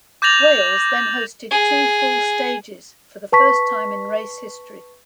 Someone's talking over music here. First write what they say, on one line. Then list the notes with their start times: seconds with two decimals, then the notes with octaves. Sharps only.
Wales then hosted two full stages for the first time in race history.
0.22 D6 G6 A6 A#6 F7 F#7
1.51 G#4
3.32 B4 A5 C#6 B6